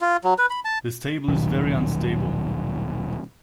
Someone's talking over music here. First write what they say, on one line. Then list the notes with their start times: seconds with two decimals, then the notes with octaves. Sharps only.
This table is very unstable.
0.01 F4
0.24 F#3
0.38 B4
0.50 B5
0.65 A5
1.28 D#1 B1 D#3